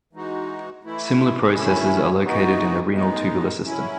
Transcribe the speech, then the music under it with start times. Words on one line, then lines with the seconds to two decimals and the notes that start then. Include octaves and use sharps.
Similar processes are located in the renal tubular system.
0.13 E3 G#3 D#4 F#4
0.84 E3 A3 E4
1.53 D#3 A3 C#4 E4
2.24 E3 B3 D#4 F#4
2.94 A2 G#3 B3 D#4
3.64 F#3 C#4 E4